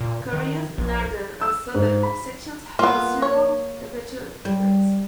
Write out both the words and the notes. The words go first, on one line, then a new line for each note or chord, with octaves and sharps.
Korea's northern and southern sections have a considerable temperature difference.
A#2
D#3
A#1
E6
G#2
B5
A#3 B3 F4
C#5
G3